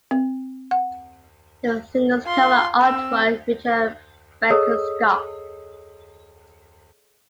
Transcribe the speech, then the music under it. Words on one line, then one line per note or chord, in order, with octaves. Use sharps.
The single's cover artwork featured Bekonscot.
C4
F#5
F4 C6
C4 E6
G#4 A4 C#5 D#5 D#6 E6